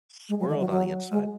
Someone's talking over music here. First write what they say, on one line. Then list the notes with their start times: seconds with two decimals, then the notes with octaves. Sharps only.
Swirled on the inside.
0.29 G#3
0.39 F#3
0.49 D#3
0.60 F#3
0.70 F#3
1.11 G#3